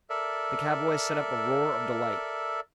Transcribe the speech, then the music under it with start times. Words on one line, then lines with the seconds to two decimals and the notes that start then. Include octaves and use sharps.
The cowboys set up a roar of delight.
0.10 A4 A#4 D5 E5